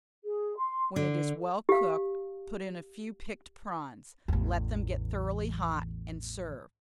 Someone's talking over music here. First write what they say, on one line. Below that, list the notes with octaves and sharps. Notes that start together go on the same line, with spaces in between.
When it is well cooked, put in a few picked prawns; let them get thoroughly hot, and serve.
G#4
C6
D3
G4 F5
A1 E2